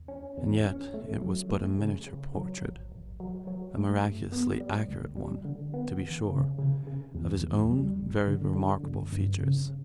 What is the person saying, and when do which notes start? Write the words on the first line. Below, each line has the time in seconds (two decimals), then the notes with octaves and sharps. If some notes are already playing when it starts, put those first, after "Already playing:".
And yet it was but a miniature portrait--a miraculously accurate one, to be sure--of his own very remarkable features.
Already playing: E2
0.08 C#4
0.38 E2
0.66 C#4
0.94 A3
1.22 F#3
1.50 A3
1.79 C#3
2.07 C#3
2.35 F#3
2.63 A1
2.92 A1
3.20 F#3
3.47 F#3
3.76 A3
4.04 G2
4.32 B3
4.60 G3
4.88 D2
5.17 G3
5.45 D3
5.74 B3
6.02 E2
6.30 C#3
6.59 C#3
6.87 C#3
7.15 E2
7.43 E2
7.71 G3
7.99 G1
8.27 D3
8.55 D3
8.83 G1
9.12 G2
9.41 C#3